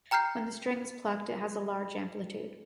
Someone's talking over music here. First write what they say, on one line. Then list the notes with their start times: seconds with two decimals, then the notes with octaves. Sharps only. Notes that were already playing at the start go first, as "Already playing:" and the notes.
When the string is plucked, it has a large amplitude.
0.11 G5 A#5 F6 G6 C7